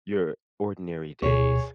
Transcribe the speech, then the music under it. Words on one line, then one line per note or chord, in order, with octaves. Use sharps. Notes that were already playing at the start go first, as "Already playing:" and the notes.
your ordinary days
D2 B2 G#4 C#5